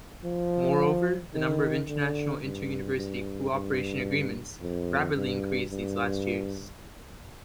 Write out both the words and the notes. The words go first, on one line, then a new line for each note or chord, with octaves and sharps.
Moreover, the number of international inter-university co-operation agreements rapidly increased these last years.
F3
D#3
D3
G2
G2
G2
F2
G2
G2